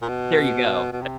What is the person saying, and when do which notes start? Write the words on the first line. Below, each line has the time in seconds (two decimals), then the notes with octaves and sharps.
There you go.
0.02 A#2
0.09 B2
0.92 B2
1.02 C3